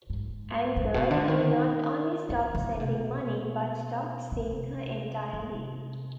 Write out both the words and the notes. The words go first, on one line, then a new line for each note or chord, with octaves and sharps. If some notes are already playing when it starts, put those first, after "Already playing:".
Angered, he not only stopped sending money, but stopped seeing her entirely.
G#2
G#2
B2
D3
D#3
D3
C3
B2
C3
C3